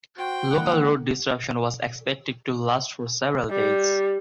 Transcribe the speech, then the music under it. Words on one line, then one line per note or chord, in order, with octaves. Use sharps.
Local road disruption was expected to last for several days.
F#4 C5 G5
D3 G#3 A#3 E4 F#5
G3